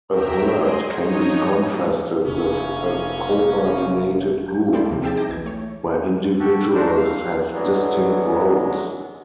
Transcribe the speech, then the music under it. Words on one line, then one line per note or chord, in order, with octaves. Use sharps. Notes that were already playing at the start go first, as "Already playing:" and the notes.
A herd can be contrasted with a coordinated group where individuals have distinct roles.
F#3 E5 G5 A#5 D7 E7
G#4 D#5 C6
F2 D#4 C#5 D#6
F#2 A2
F1 C2 D3 E3 A#3 C#4
E4 A4 D5 G5 C6
D#2 C3 F3
C4 G4 G#4 E5 G5 A5
D#4 D6 G6 A#6
B1 E3 G#6
A3 C#5
F#4 G4 A4
D4 D#4 A4 A#4 C5
F5
D3 E3 F#3 G#3 B3